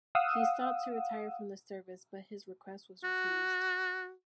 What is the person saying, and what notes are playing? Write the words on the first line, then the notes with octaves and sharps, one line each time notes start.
He sought to retire from the service but his request was refused.
F5 F#5 D#6 E6
F#4